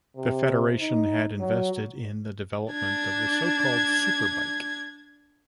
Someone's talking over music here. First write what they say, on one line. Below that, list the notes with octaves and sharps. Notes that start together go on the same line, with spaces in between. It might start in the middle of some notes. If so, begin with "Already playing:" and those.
The federation had invested in the development of the so-called SuperBike.
C3
D#4
F#3
D4 G#6